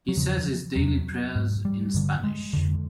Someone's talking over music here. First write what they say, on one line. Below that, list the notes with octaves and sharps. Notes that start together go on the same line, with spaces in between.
He says his daily prayers in Spanish.
F#3
E2 C#3 F3
E2 C3 F#3
G#2
G3
G2 D3
G#3
F2 D3